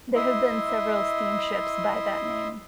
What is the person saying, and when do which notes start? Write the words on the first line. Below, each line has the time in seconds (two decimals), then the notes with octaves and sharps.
There have been several steamships by that name.
0.15 E4 D#5 E5 C6